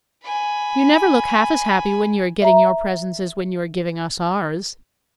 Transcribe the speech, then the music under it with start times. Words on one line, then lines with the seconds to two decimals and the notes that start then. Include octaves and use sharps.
You never look half as happy when you are getting your presents as when you are giving us ours.
0.23 G#5 B5
2.42 E5 A#5